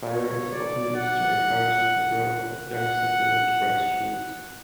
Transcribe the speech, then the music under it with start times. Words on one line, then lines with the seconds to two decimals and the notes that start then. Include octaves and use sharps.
Fire is often used to encourage the growth of young succulent grass shoots.
0.10 C#5
0.52 D5
0.96 F#5
2.69 F#5